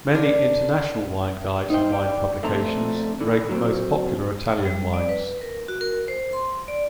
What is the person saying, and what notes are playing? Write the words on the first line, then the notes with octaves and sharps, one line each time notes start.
Many international wine guides and wine publications rate the most popular Italian wines.
D4 A#4
D#4 C5 G5
G4 D5 G5
F2 A3 C4 D4 A5 A#5
D3 E3
F#3 C4
G3
D5
B4
A#4
F#4
A#4
C5
C6
D5